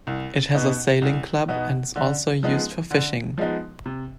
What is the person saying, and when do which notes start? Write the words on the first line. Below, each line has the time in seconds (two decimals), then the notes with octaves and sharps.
It has a sailing club and is also used for fishing.
0.07 C2
0.54 B2 B3 D#4
1.02 C2
1.48 B2 B3 D#4
1.96 D3
2.43 F3 G#3 B3 D#4
2.91 D3
3.38 F3 G#3 B3 D#4
3.86 C3